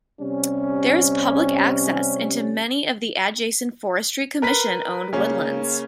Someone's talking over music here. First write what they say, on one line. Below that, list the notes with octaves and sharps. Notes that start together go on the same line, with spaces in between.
There is public access into many of the adjacent Forestry Commission owned woodlands.
C3 G3 C#4
A#4 B4 B6
C#3 A#3 C#4